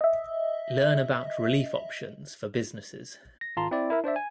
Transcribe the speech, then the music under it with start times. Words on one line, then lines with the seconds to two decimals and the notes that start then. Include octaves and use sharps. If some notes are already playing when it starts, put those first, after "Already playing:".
Learn about relief options for businesses.
0.01 D#5 E5
3.41 A#6
3.57 G#1 F4 A5 A#5 C6
3.71 C4 E4 D5
3.90 E4 A#4 E5
4.04 D4 C5 D5 E5
4.16 G#5